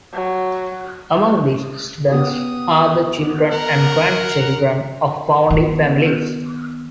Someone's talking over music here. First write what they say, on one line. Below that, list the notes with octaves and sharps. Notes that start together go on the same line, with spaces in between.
Among these students are the children and grandchildren of founding families.
F#3
B3 G4 D#6
A#4 F#5
D#3 B3